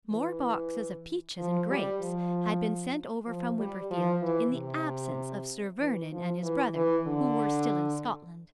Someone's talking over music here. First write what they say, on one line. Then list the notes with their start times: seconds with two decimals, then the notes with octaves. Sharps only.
More boxes of peaches and grapes had been sent over from Wimperfield in the absence of Sir Vernon and his brother, who were still in Scotland.
0.11 E3
1.38 F3
1.69 G3
2.01 F3
3.27 F3
3.59 G3
3.90 F3
4.22 E3
4.53 C3
5.80 E3
6.11 F3
6.43 E3
6.74 E3
7.07 D3